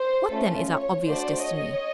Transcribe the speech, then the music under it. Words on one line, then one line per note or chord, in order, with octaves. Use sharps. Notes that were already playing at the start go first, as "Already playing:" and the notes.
What then is our obvious destiny?
Already playing: C5
A3 C#4 F4 A4
C#5
A3 D4 F#4 C5 D5
C#5 D#5